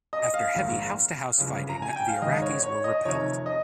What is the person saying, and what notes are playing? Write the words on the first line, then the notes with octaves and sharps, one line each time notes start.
After heavy house-to-house fighting, the Iraqis were repelled.
D#5
F5
A#1 G#2 D#3
G1 F2 C#3
A#5
G#5
G5
F5
G#1 G#2 D#3 D#5
C#5
C#5
D#5
F1 F2 C3 D#3 C#5
D#5